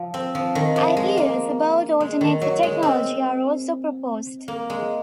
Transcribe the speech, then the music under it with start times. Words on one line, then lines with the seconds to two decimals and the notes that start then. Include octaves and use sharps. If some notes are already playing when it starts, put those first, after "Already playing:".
Ideas about alternative technology are also proposed.
Already playing: F3
0.14 C4
0.35 F3
0.55 D#3
0.76 F3
0.97 G#3
1.17 A#3
2.00 G#3
2.21 D#3
2.41 F#3
2.63 G#3
2.83 C4
4.48 A#3
4.70 G#3